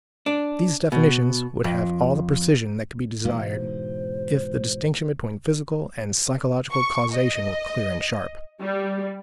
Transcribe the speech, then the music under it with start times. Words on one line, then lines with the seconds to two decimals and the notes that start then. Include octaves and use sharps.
These definitions would have all the precision that could be desired if the distinction between physical and psychological causation were clear and sharp.
0.26 D4
0.92 B2
1.64 F2
3.25 G#2 B2 E3 F5
3.49 C5
6.73 C#6
7.14 D#5
8.60 G3